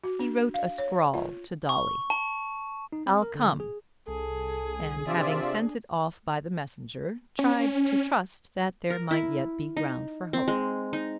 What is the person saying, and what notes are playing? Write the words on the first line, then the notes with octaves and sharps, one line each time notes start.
He wrote a scrawl to Dolly,--"I'll come," and, having sent it off by the messenger, tried to trust that there might yet be ground for hope.
F#4
D4
F5
C#5
F4
C#6
A5
D#4
C4
A#4
D3
G#4
C2 G#4 A4
C3 D4 F4 D5 E5
C#4
A#4
E4
D#4
C4
G#3
D#4